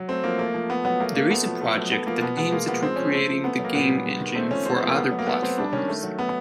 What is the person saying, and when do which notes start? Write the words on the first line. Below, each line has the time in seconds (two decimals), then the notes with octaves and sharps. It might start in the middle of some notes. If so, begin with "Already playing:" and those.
There is a project that aims at recreating the game engine for other platforms.
Already playing: F#3
0.08 A3 C4
0.24 F3 A#3
0.39 A3 A#3
0.54 F3
0.69 A3 B3
0.85 F#3 B3
1.00 A3 A#3
1.15 F#3 A#3
1.30 A3 B3
1.46 F3
1.62 A3
1.77 F#3
1.92 A3 B3
2.07 F3 A#3
2.22 B2 B3
2.37 G#3 B3
2.52 G#3 A#3
2.68 F3 B3
2.83 G#3 C4
2.96 F3 C#4
3.10 A3 C4
3.29 F3
3.44 A3 B3
3.59 F#3
3.65 A#3
3.75 A#2 B3
3.90 G3
4.05 G#3
4.20 D#3
4.35 A3 C4
4.51 F3 C#4
4.66 G#3 C4
4.76 B3
4.82 F3 A#3
4.96 A3 B3
5.11 F#3
5.19 A#3
5.27 A3 B3
5.42 F#3 C4
5.57 G3 D4
5.73 D#3 C#4
5.88 A3
6.03 F#3
6.19 A3 B3